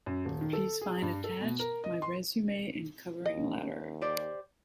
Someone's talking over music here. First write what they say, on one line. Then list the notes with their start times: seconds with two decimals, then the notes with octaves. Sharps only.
Please find attached my resume and covering letter.
0.06 F#2
0.25 D#1
0.41 D#3
0.53 A4
0.81 G#4
1.02 G2
1.24 A4
1.41 B2
1.60 A#4
1.84 D#5
2.02 C6
3.26 D#2 D#5
4.01 G4 C5 D5